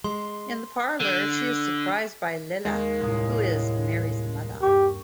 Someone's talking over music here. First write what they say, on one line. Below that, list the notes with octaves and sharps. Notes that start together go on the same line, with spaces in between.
In the parlor she is surprised by Lila, who is Mary's mother.
G#3 C6
D3
D#2 G#3
C2 A2 D#6
G2 G4 C#6